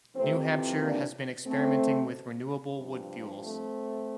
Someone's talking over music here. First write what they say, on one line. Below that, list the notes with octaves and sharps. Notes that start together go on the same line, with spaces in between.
New Hampshire has been experimenting with renewable wood fuels.
F2 C3 E3 A3 C4
A#3 D4
A3 C4
G2 F3
A3 C4